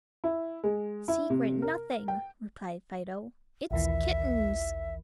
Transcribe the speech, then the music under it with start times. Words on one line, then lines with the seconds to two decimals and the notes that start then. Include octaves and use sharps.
"Secret nothing," replied Fido, "It's kittens!"
0.24 E4
0.64 G#3
1.08 E4
1.30 C3
1.62 A#4
2.08 G5
3.71 A#1 D#2 E3 E5